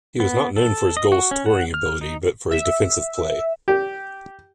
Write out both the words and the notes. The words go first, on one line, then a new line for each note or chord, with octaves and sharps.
He was not known for his goal scoring ability, but for his defensive play.
B3
A4
D#5
F#4
C#4
F#5
F6
D#4
E5
G4